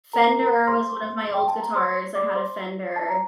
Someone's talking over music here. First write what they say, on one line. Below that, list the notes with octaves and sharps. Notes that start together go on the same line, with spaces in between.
Fender was one of my old guitars, I had a Fender
A#4 A#5
A#4 A#5
C5 C6
G5
A5
A#5
C5 C6
D5 D6
C5 C6
A5
A#5